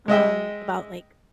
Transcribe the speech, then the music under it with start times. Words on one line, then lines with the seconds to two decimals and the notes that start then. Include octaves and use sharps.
um, about, like,
0.08 G#3 D#5 E5 G5